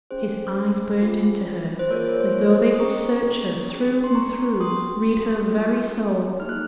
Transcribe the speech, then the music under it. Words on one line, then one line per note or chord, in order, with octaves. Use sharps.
His eyes burned into her as though they would search her through and through, read her very soul.
C#4 G#4 C5
C#4 F4 G#4
C5
A#3 F4 G#4 A#4 C#5
C#5
C5
C5 D#5
D#6
C#4 G#4 A#5 C#6
C#4 G#4
C6
A#5 C#6
C#4 F#4 C6 D#6
A#3 C#4 F4 G#4
A#3 D#4 G#4 F6
F#6